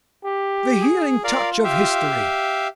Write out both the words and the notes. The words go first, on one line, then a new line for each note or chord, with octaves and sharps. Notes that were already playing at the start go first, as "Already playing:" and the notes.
"The healing touch of history."
G4
G#4
F4 A#4 D5 F5
G4 E5 F5